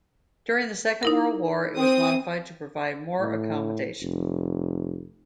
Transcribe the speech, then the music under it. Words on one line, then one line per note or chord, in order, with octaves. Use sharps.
During the Second World War it was modified to provide more accommodation.
D#4 E4 A#4
C4 D#6
A2
F1